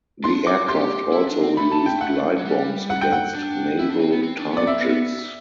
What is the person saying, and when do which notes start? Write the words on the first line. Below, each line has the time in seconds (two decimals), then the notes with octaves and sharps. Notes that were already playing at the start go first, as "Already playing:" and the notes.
The aircraft also released glide bombs against naval targets.
0.24 D4 C6
0.45 F#4 D6
0.68 G4 C6
1.12 E4
1.28 D4
1.42 C4
1.57 A3 B5
1.72 A5
1.86 G5
2.01 F#5
2.38 F#3
2.45 G3
2.90 F#5
3.01 G5
3.12 F#5
3.35 D4
3.79 E4
3.90 D4
4.00 C4
4.12 B3
4.23 C4
4.38 D4
4.52 B3 D5
4.67 C4 E5
4.79 B3
4.90 B3